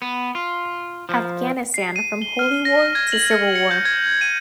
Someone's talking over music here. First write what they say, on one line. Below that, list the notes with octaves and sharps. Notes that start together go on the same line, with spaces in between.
"Afghanistan: From Holy War to Civil War".
B3
F4
F3
C7
D#7
G7
F6
A#6
G#6
F#7
C#7
C#7
G6
G#6
D#7